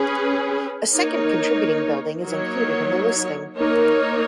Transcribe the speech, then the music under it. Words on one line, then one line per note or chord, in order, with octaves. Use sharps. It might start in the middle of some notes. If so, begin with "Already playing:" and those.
A second contributing building is included in the listing.
Already playing: C#4 G#4 B4
A#3 D#4 A#4 C#5
F#3 A#3 D#4 A#4 C#5
A#3 D#4 A#4 C#5